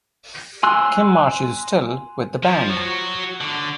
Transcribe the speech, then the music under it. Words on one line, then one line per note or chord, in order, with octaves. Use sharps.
Kym Marsh is still with the band.
G#5 C6 E6 F#6
F3
F#4 C#5
D3